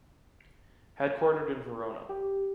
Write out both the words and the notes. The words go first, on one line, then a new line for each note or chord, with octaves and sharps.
Headquartered in Verona.
G4